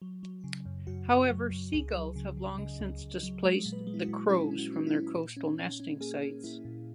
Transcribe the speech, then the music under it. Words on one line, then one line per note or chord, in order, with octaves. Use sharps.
However, seagulls have long since displaced the crows from their coastal nesting sites.
F#3
F#3
C#3
F#2
F#2 F#4
F#2
F#3
F#2
C#2 G#4
F#3
C#3
C#3
C#3 D#5
C#2
C#2
F#3
G#3 C#5
A#2
B4
G#3
E4
F#4
A#2
C#4 E4
C#4
F#4
C#4
E4
C#4
A#2
C#4
C#4
C#4
A#3 G#4
C#4
A#3 E4
A#2